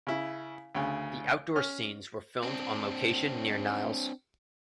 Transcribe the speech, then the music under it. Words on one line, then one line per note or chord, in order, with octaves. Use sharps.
The outdoor scenes were filmed on location near Niles.
C#3 E4
D2 C#3
C#4 F6
C4 D4